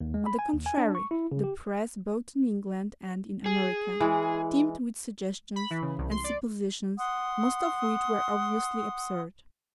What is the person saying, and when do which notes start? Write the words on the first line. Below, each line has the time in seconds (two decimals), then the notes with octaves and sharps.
On the contrary, the Press, both in England and in America, teemed with suggestions and suppositions, most of which were obviously absurd.
0.01 D#2
0.14 G#3
0.26 B5
0.39 G#5
0.53 D#2
0.66 G#5
0.78 D4
0.95 C#6
1.11 E4
1.32 C#3
1.44 G4
3.46 G#4
4.00 E3 G#3
5.56 B5
5.70 E3
5.82 C#3
5.98 C2
6.11 C6
6.24 D5
6.98 F#5 C6 D#6